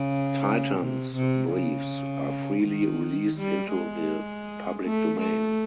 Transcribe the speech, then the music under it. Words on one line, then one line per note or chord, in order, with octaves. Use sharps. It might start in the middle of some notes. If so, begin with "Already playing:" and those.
Titans Briefs are freely released into the public domain.
Already playing: C#3
C3
C3
C#3
D#3
G3
G#3
A3
A3